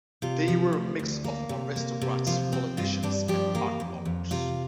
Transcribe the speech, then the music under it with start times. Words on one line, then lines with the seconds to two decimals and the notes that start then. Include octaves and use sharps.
They were a mix of aristocrats, politicians and art-lovers.
0.22 C3 F4
0.48 F3
0.73 D2
0.99 D2
1.24 A#3
1.49 C3
1.76 A#3
2.02 C3
2.27 F3 F4
2.53 C4
2.77 G2 F4
3.03 G2 D4 G4
3.28 F3 D4 G4
3.55 A#3
3.80 F2
4.05 F2
4.31 C3 F4